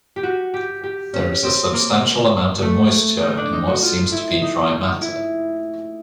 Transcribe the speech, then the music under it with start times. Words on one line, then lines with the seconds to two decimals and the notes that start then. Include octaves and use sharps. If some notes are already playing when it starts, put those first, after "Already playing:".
There is a substantial amount of moisture in what seems to be dry matter.
0.16 G4
0.23 F#4
0.54 G4
0.84 G4
1.13 C#4
1.43 C4
1.73 A#3
2.62 A3
3.23 D#4
3.37 D4
3.53 D#4
3.67 F#4
3.82 F4
4.12 E4
4.42 D#4
5.01 E4